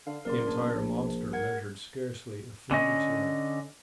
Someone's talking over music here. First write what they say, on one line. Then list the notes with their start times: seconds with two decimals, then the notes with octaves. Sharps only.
The entire monster measured scarcely a finger's length.
0.07 D3 F5
0.25 F#1 A#4 D5 C6
0.48 D4
0.74 A#1
1.33 A#4 F#5 G#6
2.71 D3 C#4 D#5